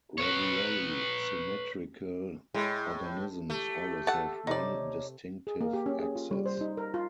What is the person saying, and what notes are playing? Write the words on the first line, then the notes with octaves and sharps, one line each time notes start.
Radially symmetrical organisms always have one distinctive axis.
B4 C#5
A2 G#3 E4
A3 G4
A4 F5 F#5 A5
C3 D#4 C#5 D5
G#4
A#3
G4
C#4
G#4
F4
G3
C5
D#4
A#4
F4